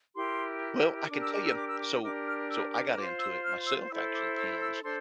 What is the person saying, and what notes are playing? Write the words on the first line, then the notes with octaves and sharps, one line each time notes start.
Well, I can tell you. So so I got into it myself, actually, pins,
E4 G4 A#4 C6
D4 G4 A#4 D6
E6
D6
E6
D6
E6
D6
D4 G4 A#4 D6
F6
E6
D6
F4 C5 D6
E6
F6
E6
E4 A4 C5 E6
D6
E6
E6
D4 A4 C5 C6